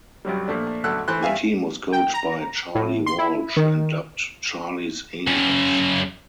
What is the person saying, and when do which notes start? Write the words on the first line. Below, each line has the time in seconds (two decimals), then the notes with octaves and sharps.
The team was coached by Charlie Walsh and dubbed "Charlie's Angels".
0.25 C2 F#2 F#3 G3
0.48 A#2 F3 A3 D4
0.84 B1 D3 A3 A4 E6 F#6
1.08 E3 A3 E4 C5 C6 F#6
1.23 G2 E5 F5 G#5
1.93 G5
2.14 A#5
2.75 A2
3.06 C6
3.18 E4
3.57 D#3
5.27 F#2 C#3